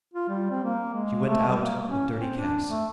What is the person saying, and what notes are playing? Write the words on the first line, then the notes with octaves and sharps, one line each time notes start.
She went out, with dirty caps.
F4
G3
C4
A#3
G#3
A3
G3
A#3
C#4
C4
D4
A3